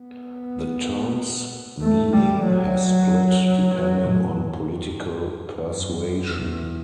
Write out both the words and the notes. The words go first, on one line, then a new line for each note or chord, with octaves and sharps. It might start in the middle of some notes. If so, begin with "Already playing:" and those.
The term's meaning has split depending on political persuasion.
Already playing: B3
A3
G3
F#3
F#3
A2
G2
F#2
E2